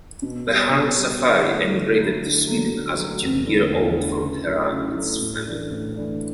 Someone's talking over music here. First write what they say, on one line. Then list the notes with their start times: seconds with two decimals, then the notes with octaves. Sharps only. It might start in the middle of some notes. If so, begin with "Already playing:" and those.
Behrang Safari emigrated to Sweden as a two-year-old from Tehran with his family.
0.22 B2
0.47 G3 B3
0.73 B2
0.97 G3 B3
1.23 D3
1.47 F#3 A3 E4
1.72 D3
1.97 F#3 A3 E4
2.22 D3
2.47 F#3 A3
2.71 D3
2.96 F#3 A3
3.22 E2
3.46 D3 A3 E4
3.72 E2
3.96 D3 A3 E4
4.21 C#3
4.46 F#3 A3 E4
4.71 C#3
4.96 F#3 A3 E4
5.21 A2
5.46 E3 A3 D4
5.71 A2
5.96 E3 A3 D4